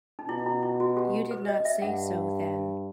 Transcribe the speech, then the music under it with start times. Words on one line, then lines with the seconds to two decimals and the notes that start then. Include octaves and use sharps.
You did not say so then.
0.19 D#4
0.28 B2 E4
0.46 E4
0.63 E4
0.80 F#4
0.97 G4
1.31 B4
1.48 D#5
1.65 E5
1.81 G2 F#5